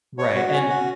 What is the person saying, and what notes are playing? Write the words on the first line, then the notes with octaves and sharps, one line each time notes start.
Right, and,
C#5
F#4
C#4
F#4